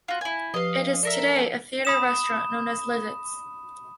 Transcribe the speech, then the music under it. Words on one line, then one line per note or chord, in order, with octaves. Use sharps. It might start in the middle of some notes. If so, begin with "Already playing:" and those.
It is today a theatre-restaurant known as "Lizottes".
F4 F#4 F5
E4 G#5
F3 G4 B4 D#5 F5
A4 A#4 D5 E5
B5 D#6 E7